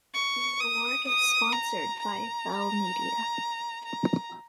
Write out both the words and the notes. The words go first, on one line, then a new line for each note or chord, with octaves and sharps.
The award is sponsored by Bell Media.
C#6
D#6
D#6
A#5
A#5
A#5